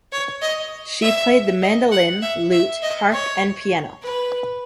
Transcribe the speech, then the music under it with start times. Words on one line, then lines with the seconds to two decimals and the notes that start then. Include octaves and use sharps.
She played the mandolin, lute, harp and piano.
0.12 C#5
0.42 D#5
1.02 E5
1.62 D#5
1.92 F#5
2.22 E5
2.52 E5
2.83 D#5
3.12 C#5
4.03 B4